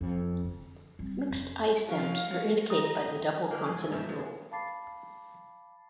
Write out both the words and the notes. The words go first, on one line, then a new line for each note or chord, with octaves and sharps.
Mixed "i"-stems are indicated by the double consonant rule.
F2
D3
G3 C4
F2
F3 F#3 C#4 E4 F5
G#3 F#4
G4 D#5 A#5 D#6
D3 A#3 B4 C5
D#2 G#5
E3 G#3 C4
G2 C3 D#3 F3 G4 E5 A5
A3 D4 G#4
F5 A5 B5 D6 A6 C7